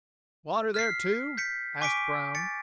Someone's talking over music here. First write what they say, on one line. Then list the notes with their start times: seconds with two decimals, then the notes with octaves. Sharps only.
"Water there, too?" asked Brown.
0.74 F6 B6 C7
1.37 G6 B6 C#7
1.81 G#5 C#6 D6 B6 C#7 D7
2.35 A6 C#7